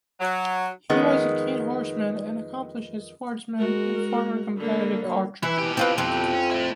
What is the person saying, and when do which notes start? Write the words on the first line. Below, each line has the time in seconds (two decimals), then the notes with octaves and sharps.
He was a keen horseman and accomplished swordsman and former competitive archer.
0.20 F#3
0.89 F2 D#3 G#3 B3
3.58 G#3 F#4 A#4
4.57 D3 A#3 B5
5.43 E3 E4
5.58 B2 G4
5.77 C4 F4 B4
5.98 F2 C4
6.33 C#4
6.51 A3 E4